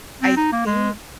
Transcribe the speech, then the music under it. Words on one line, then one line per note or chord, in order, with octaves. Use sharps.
I think
C4
D#4
A#3
G#3